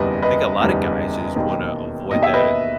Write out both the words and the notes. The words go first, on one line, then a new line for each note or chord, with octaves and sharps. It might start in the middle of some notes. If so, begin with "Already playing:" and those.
I think a lotta guys just wanna avoid that a
Already playing: F#1 E2 D#3 G3 B4 D#5
B4 D#5
F#1 E2 D#3 G3
E1 D#2 D#3
E1 D#2 D#3 D#5
E5
B4 D#5